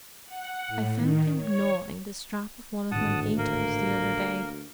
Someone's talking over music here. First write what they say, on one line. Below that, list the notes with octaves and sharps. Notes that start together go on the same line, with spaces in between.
"I found him gnawing the strap of one of my gaiters the other day."
F#5
A2
D#3
C#5
G#1 D2 A2 F#5 A5 D#6
A#3 A#4